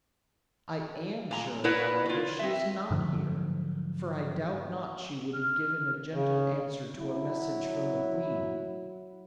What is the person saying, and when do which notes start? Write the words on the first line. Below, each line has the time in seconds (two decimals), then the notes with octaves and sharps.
I am sure, however, she is not here, for I doubt not she would have given a gentle answer to a message from the queen.
1.31 A#2 A#5
1.64 E4 A#4 B4 C#5 D5 F#5
2.05 F#3 F4
2.39 C4 E5
2.91 G#2 D3 F3 F#3
5.33 F6
6.14 C#3
6.96 F#3 E4